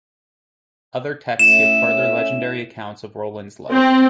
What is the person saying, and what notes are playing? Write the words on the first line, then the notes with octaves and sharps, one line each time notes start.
Other texts give further legendary accounts of Roland's life.
A2 C#4 E5 E7
C4